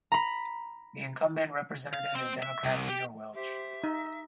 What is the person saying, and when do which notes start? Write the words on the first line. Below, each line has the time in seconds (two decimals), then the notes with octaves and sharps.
The incumbent representative is Democrat Peter Welch.
0.12 A#5 B5
1.93 F5
2.15 C4
2.42 E5
2.64 C2
2.90 G4
3.34 G4 C5 E5
3.84 D#4 E6